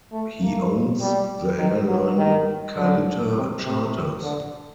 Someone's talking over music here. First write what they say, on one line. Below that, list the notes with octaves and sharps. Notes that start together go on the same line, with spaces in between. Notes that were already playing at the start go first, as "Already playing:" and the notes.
He owns the airline Kalitta Charters.
A3
A#3
G3
D#3
F#3
D#3
D3
C3
C3
D3